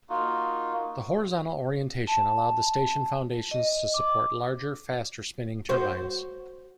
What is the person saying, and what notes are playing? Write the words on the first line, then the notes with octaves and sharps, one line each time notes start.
The horizontal orientation allowed the station foundations to support larger, faster spinning turbines.
A#3 D#4 F4 F#4
A5
D#5
D6
F#4 C5